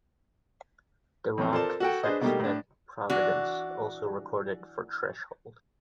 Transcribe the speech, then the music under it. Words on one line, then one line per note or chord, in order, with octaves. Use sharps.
The rock sextet Providence also recorded for Threshold.
F2 E3 C4
F4 A4 A#4 C5 D5 A5
F#4 A4 F#5 G5
D4 G#4 B4 C5 D#5
B2 G3 A3 A#3 D#4 G4
A2 D4
E3 D4 F#4